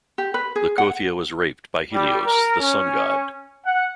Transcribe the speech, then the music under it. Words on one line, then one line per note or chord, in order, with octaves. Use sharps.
Leucothea was raped by Helios, the sun god.
G4
B4
G#4
F#5
G3
A#4
C#4
F#5